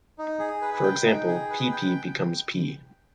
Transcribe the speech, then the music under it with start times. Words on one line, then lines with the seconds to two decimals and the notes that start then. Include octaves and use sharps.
For example, "pee-pee" becomes "pee".
0.18 D#4
0.39 G#4
0.61 B4
0.83 G5
1.05 D#4
1.27 G#4
1.50 B4
1.72 G5